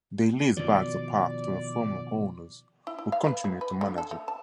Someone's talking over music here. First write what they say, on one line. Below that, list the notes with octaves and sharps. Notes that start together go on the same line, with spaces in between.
They leased back the park to the former owners, who continued to manage it.
B2 D#3 F3 D5
E4
E4
F5
B4
E4
B4
D3
A4
A3
A5